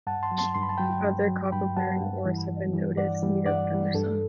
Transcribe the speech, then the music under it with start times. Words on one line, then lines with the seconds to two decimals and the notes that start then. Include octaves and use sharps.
Other copper bearing ores have been noted near Paterson.
0.07 G2 F#5 A5
0.23 A5 C6
0.31 F#3
0.38 A5 C6
0.55 G2 C6
0.63 B5
0.69 A5
0.77 F#3 G5 B5
1.03 G2
1.28 F#3
1.52 G2 G5 B5
1.77 F#3 F#5 A5
2.01 G2
2.25 E3 G3
2.49 G2
2.73 E3 G3
2.97 G2 D5 F#5
3.22 E3 G3
3.46 G2 D5 F#5
3.71 E3 G3
3.95 G2 A4